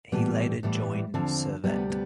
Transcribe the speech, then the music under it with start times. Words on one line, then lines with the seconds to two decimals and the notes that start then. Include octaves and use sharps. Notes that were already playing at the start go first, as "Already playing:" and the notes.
He later joined Servette.
0.12 A2 E3 G3 B3
0.63 A2 E3 G3 B3
1.14 E2 D3 F3 C4
1.64 D2 C3 G3 B3
1.90 B3